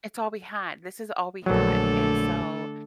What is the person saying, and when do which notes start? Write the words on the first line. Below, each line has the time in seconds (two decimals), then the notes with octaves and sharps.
it's all we had, this is all we had. And so
1.46 A#1 D3 F#3 A3 A4